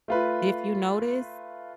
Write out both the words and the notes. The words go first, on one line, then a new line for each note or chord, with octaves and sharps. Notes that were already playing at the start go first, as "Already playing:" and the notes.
if you notice,
A3 F4 B4